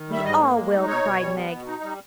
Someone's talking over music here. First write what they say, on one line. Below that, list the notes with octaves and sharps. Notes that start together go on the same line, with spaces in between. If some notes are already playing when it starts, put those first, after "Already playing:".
"We all will," cried Meg.
Already playing: D#3
G3 E5
G#2 D#5
A#3
G#3
D#4
B2 C#5
B2
G3
B3
B2
D#4
G3